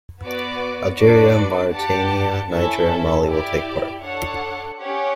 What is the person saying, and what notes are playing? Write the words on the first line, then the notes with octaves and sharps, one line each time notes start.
Algeria, Mauritania, Niger, and Mali will take part.
B3 F#4 B4 D5
D4 F#4 B4 D5
G4 D5 F#5 A5
C#4 E4 A4 E5 A5
E4 G4 D5
D4 A4 C#5 F#5
C#4 G4 C#5 F#5